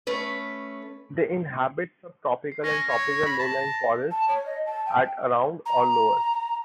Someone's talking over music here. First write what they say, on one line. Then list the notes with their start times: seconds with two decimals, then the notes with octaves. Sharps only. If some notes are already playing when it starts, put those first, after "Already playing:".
They inhabit sub-tropical and tropical lowland forests at around or lower.
0.07 A3 C#4 B4
2.52 C7
2.64 C#4 A#6
2.89 C#5
3.26 B5
3.39 A5
4.11 A5
4.28 C#5
4.46 D#5
4.66 A5
4.86 G5
5.65 A#5